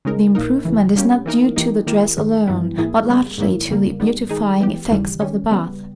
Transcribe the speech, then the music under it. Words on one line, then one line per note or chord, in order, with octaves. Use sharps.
The improvement is not due to the dress alone, but largely to the beautifying effects of the bath.
C#3 G#3 D#4 A#4
A#2 A#3 D#4 A#4
C#2 C#3 E3
B2 G3 A#3 C#4 G4
E3 A#3 D#4 A#4
E3 A#3 D#4 G4
D#3 A#3 E4 G4 A#4
G#2 D#3 G#3
G2 E3 G3 B3 E4
G#2 E3 A#3 E4 G#4
C#3 G3 A#3
G#2 D#3 A#3 E4
E2 C#3 G3 A#3
G#2 D#3 G3 B3
D#3 G#3 D#4 G#4
E3 G#3 B3 G4
D#2 C#3 E3 G3
D#3 G3 C#4
C#3 G3 B3